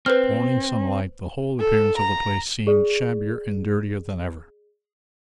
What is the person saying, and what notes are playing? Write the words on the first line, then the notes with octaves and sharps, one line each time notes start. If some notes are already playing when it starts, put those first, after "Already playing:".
In the morning sunlight the whole appearance of the place seemed shabbier and dirtier than ever.
C4 B4 C5 F6
A4
A#5
G#4 D5